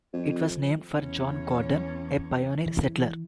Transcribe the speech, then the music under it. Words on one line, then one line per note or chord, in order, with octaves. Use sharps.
It was named for John Gordon, a pioneer settler.
F2
E2 C#4
E3